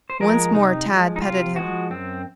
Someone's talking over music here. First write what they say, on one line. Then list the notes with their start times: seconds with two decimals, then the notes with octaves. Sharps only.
Once more Tad petted him.
0.10 C5
0.20 F3 G#3 A#4
0.54 C3 D#4
0.88 F3 G#3
1.16 D#4
1.22 C3 F4
1.56 F3 G#3 F#4
1.90 F#2 C4